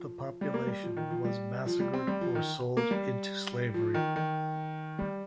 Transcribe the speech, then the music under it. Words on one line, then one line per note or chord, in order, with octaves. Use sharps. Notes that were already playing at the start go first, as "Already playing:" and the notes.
The population was massacred or sold into slavery.
Already playing: F3
G3
A#3
G3
F3
D#3
F3
G3
F3
G3
C4
G3
F3
D#3
A#3
G3
F3
D#3
D#3
G3